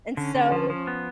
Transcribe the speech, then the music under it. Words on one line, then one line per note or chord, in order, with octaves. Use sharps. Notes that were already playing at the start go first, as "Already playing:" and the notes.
and so
D3 C#4
D3
F3
F3
B3